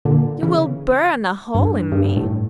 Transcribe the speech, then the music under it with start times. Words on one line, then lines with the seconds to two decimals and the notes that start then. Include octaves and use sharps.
You will burn a hole in me.
0.05 A#2 D3
0.43 C#3 E3
1.55 G2
1.92 G2
2.04 G2
2.17 A2